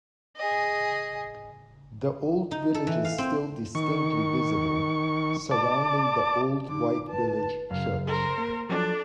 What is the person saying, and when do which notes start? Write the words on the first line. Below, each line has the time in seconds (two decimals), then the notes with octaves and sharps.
The old village is still distinctly visible, surrounding the old white village church.
0.37 G#4 D#5
2.51 D#4
2.74 A4
2.87 E3
3.05 F5
3.18 C4
3.75 D#3 C#6
5.51 D5 A5 D6
6.69 D3 D#4 D6
7.08 B4 A5
7.71 F#2 C#3 F5
8.07 A#4 C5
8.38 A#3
8.69 F3 F#3 D4 A4 D5